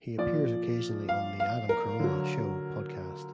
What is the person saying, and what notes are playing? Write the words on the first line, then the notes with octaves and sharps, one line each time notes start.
He appears occasionally on "The Adam Carolla Show" podcast.
A#2 F3 D5
F5
F5
A#4
D3 F#3